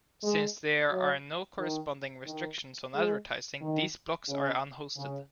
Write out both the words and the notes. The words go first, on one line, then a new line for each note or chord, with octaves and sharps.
Since there are no corresponding restrictions on advertising, these blocks are unhosted.
G#3
F#3
D#3
D#3
G#3
D#3
C#3
C#3